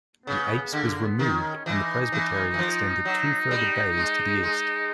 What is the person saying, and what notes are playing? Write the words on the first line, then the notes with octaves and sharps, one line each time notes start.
The apse was removed and the presbytery extended two further bays to the east.
C#3 B3
D3 A#3
B3
D#3
C#4
E3 D#4
E3
E3
F3
F#3
G3
G#3
G#3